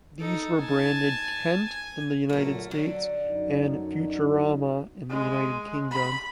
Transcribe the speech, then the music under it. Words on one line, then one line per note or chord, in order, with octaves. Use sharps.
These were branded "Kent" in the United States and "Futurama" in the United Kingdom.
D#4 A4
G#5 A5
G#5
A#2 D3 F#3 A3 A#3
D3 F#3
F#2 F#3 D#4
G#3
B5